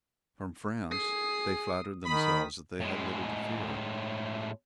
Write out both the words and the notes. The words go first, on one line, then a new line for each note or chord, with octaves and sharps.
From France they flattered themselves that they had little to fear.
G#4 D#6 C7
D#3 B5 D#6 B6
A2 G#3